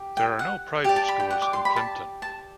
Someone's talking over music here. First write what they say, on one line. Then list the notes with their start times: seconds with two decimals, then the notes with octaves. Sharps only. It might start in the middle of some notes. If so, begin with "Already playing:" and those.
There are no private schools in Plympton.
Already playing: G4
0.17 G5
0.39 F#5
0.84 G4 G5
0.89 D5
0.96 A5
1.08 B5
1.20 G5
1.30 F#5
1.42 D6
1.53 C6
1.65 B5
1.76 A5
2.22 A5